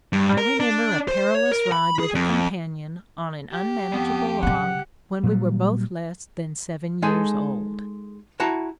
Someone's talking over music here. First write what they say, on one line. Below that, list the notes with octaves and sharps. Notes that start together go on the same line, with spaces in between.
I remember a perilous ride with a companion on an unmanageable log, when we were both less than seven years old.
G2
A#4
D4
C5
C#5
A#4
B5
G#4
F2
G4
F2 B3
C#3 F#3 F#5
A#2 F#3 G3
G#3 D#4 G#4 A4
E4 F#4 A5 A#5